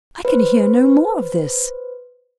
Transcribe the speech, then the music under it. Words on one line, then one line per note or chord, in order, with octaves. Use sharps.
I can hear no more of this.
B4 C5